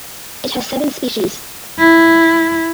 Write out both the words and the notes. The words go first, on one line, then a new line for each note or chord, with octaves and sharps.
It has seven species.
E4